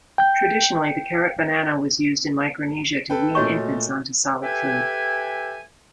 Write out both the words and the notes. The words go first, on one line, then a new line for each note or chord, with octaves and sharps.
Traditionally, the Karat banana was used in Micronesia to wean infants onto solid food.
G5 G6
A4 B4 G5
A#2 A3 F#4 C#5 D#5 C#6
G4 A4 B4 E5 G5 G#5